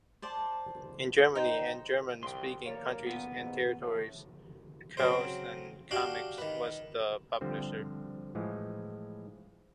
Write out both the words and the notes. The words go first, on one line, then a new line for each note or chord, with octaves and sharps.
In Germany and German-speaking countries and territories, Carlsen Comics was the publisher.
C5 D5 A5
D#4 C5 G5
C2 G5 C6
A#3 C#5 D5
A#2 B3
G#2
A2
C#3 F#3 C4 A#4 C5
D4 F#4 G4 F5
D#3 B4
D3 F3 G3 C4 C5
A2 E3 F3 G#3